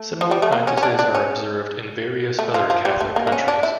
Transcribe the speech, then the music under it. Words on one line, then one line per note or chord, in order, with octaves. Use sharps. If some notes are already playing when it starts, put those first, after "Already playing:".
Similar practices are observed in various other Catholic countries.
Already playing: A3
F3
G3
A3
A#3
C#4
C#4
D4
D4
C#4
A3
F3
F3
G3
A3
A#3
A#3
C#4
D4
E4